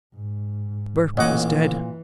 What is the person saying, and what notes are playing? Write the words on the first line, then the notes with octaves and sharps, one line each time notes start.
Burke was dead!
G#2
A1 A#2 E3 C#5 D#5 F#5 D6